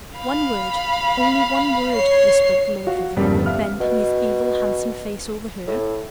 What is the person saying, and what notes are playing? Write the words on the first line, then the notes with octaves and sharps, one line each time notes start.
"One word--only one word," whispered Lord Vivianne, bending his evil, handsome face over her.
F5 B5
C#5 C7
F#4 F5 F#5
E2 G2 C#3 F3 G3 A#3
D3 F3 G3 B3
E5 F5 F6
B2
A2